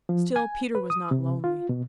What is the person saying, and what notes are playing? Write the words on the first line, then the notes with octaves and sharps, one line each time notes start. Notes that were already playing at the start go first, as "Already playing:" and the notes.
Still Peter was not lonely.
F3
G#5
B4
D#6
C3
F4
B2